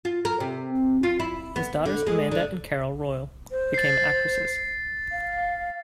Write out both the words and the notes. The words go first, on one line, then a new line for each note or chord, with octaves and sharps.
His daughters Amanda and Carol Royle became actresses.
F4
A#4
C3
F4
E4
B3
D3
G#3
D3
C5
A6 C7
F5